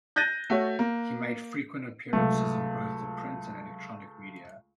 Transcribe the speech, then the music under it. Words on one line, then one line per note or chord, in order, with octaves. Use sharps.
He made frequent appearances in both the print and electronic media.
F#6 G6 A6 A#6 D#7
A3 F#4 C#5
A#3
C#2 C3 F#3 A3